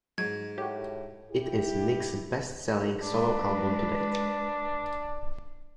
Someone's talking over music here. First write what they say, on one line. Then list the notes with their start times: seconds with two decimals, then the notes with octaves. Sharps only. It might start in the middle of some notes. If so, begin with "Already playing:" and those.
It is Nicks' best-selling solo album to date.
0.18 G#2 F#3 G#6
0.58 A2 F#4 G4
1.31 E4 G4
3.02 G#3 D4 B4